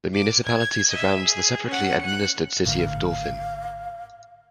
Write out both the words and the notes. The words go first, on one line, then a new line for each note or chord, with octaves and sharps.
The municipality surrounds the separately administered city of Dauphin.
D6
G#6
D#5 E5
G#4
C#4 F#5
F#6 C#7
G#1 A2 D3 F5